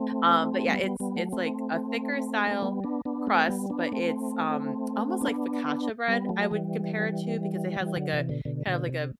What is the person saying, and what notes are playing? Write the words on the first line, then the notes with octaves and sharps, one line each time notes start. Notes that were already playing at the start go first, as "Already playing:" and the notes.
Um, but, yeah, it's it's, like, a thicker style crust, but it's, um, almost, like, focaccia bread, I would compare it to because it has, like, a, kind of, like, a
Already playing: A3 C4
G3 B3
G3 B3
G3 B3
F#3 A3
A3 C4
C4
G3 B3
B3 D4
B3 D4
A3 C4
G3 B3
B3 D4
A3 C4
B3 D4
G3 B3
F#3 A3
E3 G3
E3 G3
D3 F#3
C3 E3
B2 D3
B2 D3
B2 D3
C3